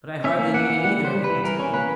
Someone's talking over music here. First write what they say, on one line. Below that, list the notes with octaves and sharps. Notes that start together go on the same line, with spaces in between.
But I hardly needed either of them to tell me.
C#4 E5
A#3
A#3 F#5
E3
G3 F#5
G3
C5
G3
B4
E3
E3 A#4
C#4
A#3 B4